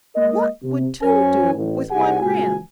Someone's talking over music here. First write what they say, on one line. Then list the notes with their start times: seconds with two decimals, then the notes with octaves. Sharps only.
What would two do with one ram?
0.15 G#3 A#3 A#4 D#5
0.63 C3
1.02 F#2 C#4 C5 C#5 G#5
1.53 A1
1.90 C2 G4 G#4 F#5 G#5
2.21 C#2 A#2 G#3 F#4 G#5